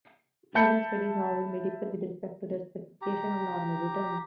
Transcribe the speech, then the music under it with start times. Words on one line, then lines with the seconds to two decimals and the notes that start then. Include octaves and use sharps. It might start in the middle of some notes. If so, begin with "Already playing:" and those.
Event studies, however, may differ with respect to their specification of normal returns.
0.55 E5 A5 B5 G6 C#7
3.02 G4 A#5